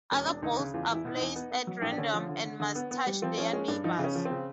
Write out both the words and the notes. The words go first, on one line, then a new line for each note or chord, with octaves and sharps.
Other balls are placed at random and must touch their neighbors.
E1 C#4
E1 D4
D2 D#4
C#3
E2 F4
E2
E4
B2
D#4
E2
B3
B3
F#3
A#1
D4
D3 C#4
F3
D3
D3
D3
B3
B3
G3
F3 C4
F3 C#4
G#3 C#4
G2 D4
F3 D#4
C#3
C#4
F3
C4
C#3